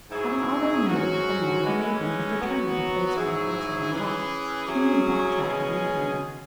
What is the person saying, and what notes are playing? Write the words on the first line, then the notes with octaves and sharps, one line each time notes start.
Having already noted that the man who made them had returned to the place where the horse had been left, he knew the back track would lead him there.
G#2 F#3 E4 G#4
G#2 F#3 C#4 F#4
E3 G#3 C#4
F#3 B3 F#4
G#2 F#3 E4 G#4
E3 C#4 G#4
F#3 C#4 E4 G#4
B2 G#3 C#4 G#4